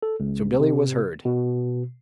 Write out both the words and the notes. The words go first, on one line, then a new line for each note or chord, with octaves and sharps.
So Billy was herd.
A4
C#2
C3
B2